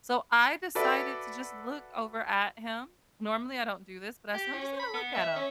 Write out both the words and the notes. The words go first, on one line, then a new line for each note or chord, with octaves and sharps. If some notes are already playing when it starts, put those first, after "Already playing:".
So, I decided to just look over at him. Normally, I don't do this, but I said, "I'm just gonna look at him."
F#4 A4 B4 D5 E5
G4
C#4
B5
B3
E5
C#4